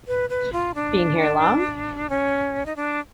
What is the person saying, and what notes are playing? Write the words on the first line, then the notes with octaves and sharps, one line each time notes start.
Been here long?
B4
B4
F4
D4
C#4
D#4
D4